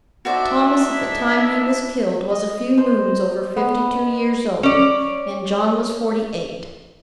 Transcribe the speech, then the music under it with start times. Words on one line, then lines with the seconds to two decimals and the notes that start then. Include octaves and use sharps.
Thomas, at the time he was killed, was a few moons over fifty-two years old, and John was forty-eight.
0.25 D4 D#4 F#4 C5 D5 E5
0.88 E4
2.30 D#5
2.78 C5
3.56 B3
4.63 C#4 D5